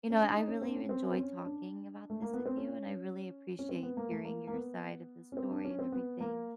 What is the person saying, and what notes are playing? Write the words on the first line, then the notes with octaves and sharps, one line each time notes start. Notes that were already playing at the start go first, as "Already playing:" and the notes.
you know, I really enjoyed talking about this with you, and I really appreciate hearing your side of the story and everything.
C#4
D4
D#4
C#4
C4
D4
C#4
C4
C4
C#4
D4
A3
A#3
B3
C4
C#4
C#4
C4
B3
A#3
A3
A#3
A#3
B3
C#4
C4
D4
C#4
C4
B3
A#3